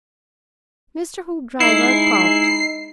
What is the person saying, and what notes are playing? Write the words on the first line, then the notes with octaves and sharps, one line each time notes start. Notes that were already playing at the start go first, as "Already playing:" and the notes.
Mr. Hoopdriver coughed.
G#3 D#4 E4 C7